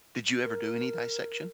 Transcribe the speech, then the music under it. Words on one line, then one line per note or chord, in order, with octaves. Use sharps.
Did you ever do any dissection?
A#4